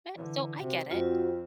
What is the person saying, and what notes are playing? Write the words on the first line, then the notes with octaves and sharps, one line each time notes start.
eh, so I get it,
D3 E3
C3 F#4
F2 C4 F4 F#4